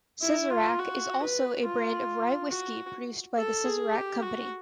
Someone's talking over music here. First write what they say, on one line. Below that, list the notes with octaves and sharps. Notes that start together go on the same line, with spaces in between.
"Sazerac" is also a brand of rye whiskey produced by the Sazerac Company.
E4
F4
F#4
B4
F4
F#4
A4
G#4
G4
F#4